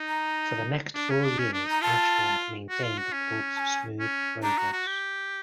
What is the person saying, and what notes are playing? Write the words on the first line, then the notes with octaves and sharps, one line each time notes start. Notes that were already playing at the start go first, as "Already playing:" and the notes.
For the next four years Ashworth maintained the club's smooth progress.
Already playing: D#4
A#5
D4
C#4
D4
C#4
D4
D#4 A#5
F4 A5
F#4
F4
F#4
C#4
A5
G#5
C#4
D4 A#5
F#4
F#4
G4